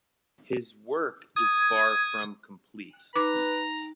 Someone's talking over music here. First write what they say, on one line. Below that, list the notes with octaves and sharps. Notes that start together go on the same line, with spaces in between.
His work is far from complete.
D#6 G#6
D#4 B4 A#5 D6